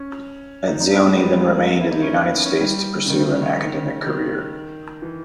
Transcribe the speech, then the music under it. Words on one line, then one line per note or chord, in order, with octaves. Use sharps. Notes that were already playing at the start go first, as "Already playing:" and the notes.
Etzioni then remained in the United States to pursue an academic career.
Already playing: C#4
D#4
D#4
B3
G#3
G3
G#3
A#3
E4
D#4
C#4
B3
C#4
G3
C#3
D#3
C#3
D#3
D#3
C#3
D#3
E3